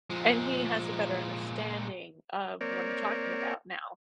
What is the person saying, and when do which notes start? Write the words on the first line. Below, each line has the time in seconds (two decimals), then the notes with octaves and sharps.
and he has a better understanding of what I'm talking about now.
0.10 A#2 F3 G#3
2.61 A#3 C4 A#4 C#5 D5